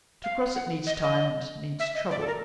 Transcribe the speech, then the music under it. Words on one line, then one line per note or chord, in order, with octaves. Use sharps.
To cross it needs time and needs trouble.
F5
F#5
D#5
D#5
E5
D#5
D5
A4
A#4